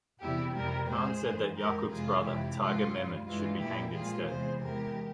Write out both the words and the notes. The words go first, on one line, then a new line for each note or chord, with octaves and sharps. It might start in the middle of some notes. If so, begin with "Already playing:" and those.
Khan said that Yakub's brother, Tiger Memon should be hanged instead.
E2 C3 G3 E4 G4
F2 C3 G3 G4 A#4
A#2 G#3 G#4 C5
G2 E3 G#3
F2 E3 G#3 G4 A#4
F2 C3 E3 G#3 F4 G#4
F2 C3 E3 E4 G4
G#2 F3 G#3 F4
G2 G3
G2 E3 G#3 F4
A#2 G3 E4 G4
A#2 F3 G#3 F4 G#4
E2 C3 E3 G#3 G#4 C5
E2 E3 G#3 G4 A#4